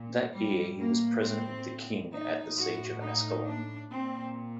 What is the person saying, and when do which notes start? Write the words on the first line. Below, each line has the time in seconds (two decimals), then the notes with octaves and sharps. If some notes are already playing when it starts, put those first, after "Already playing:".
That year he was present with the king at the Siege of Ascalon.
Already playing: A#2
0.34 A2 G3
0.79 A#3
1.23 C4
2.12 A2 D#4
2.57 F#4
3.02 D#4
3.46 D4
3.90 A#2 C4